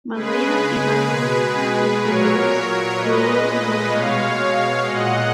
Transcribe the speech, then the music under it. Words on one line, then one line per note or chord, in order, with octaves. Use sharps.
Malaya Ivanovka is the nearest rural locality.
C#3 G#3 G#4 B4
B2 G#3
A#2 F#3 A#4 C#5
A#2 G#3 B4 D#5
B2 G#3 C#5 F5
C#5 F5
A#2 G#3 D#5 F#5